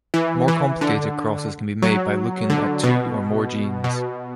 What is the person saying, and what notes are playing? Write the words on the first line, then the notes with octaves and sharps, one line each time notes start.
More complicated crosses can be made by looking at two or more genes.
E3
E3
D3
F#3
D3
B2
B2